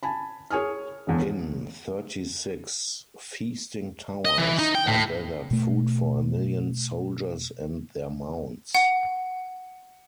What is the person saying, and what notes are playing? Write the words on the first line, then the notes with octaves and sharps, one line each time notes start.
In thirty-six feasting towers are gathered food for a million soldiers and their mounts.
G#5 A5 B5
G#4 C#5 G#5 D#6 F6
E1 E2
D#5
E3
D#4
G5
A2
B2 A3
F#5